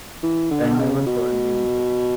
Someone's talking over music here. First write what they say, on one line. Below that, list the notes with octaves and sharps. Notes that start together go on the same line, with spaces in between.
And never called me mother!
E3
D3
C#3
B2